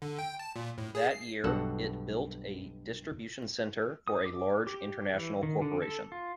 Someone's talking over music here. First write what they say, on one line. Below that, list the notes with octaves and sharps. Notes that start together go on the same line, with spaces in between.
That year, it built a distribution center for a large international corporation.
D3
G5
A5
A#2
A2
G#4
C7
B1 G2 F#4 A4 F#5
D#6
D6
G4
E3
D#3
D3
A4
F4